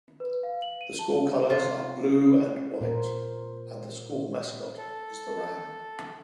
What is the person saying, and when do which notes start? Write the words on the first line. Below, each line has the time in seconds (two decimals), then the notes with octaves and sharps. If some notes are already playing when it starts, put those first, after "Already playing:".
The school colors are blue and white and the school mascot is the ram.
0.20 B4
0.43 F5
0.62 F#7
0.81 D#7
0.99 A5
1.50 C3 F4
2.81 A#2 A#4 C5
4.77 A4